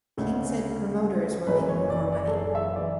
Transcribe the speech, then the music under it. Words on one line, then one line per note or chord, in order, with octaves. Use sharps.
King said Promoters were making more money.
D2 C#3 G#3
F#1 F#2 E3 G#3 B4
C#5
D5
D5
A4
G#4
E5
E3 G#3 D5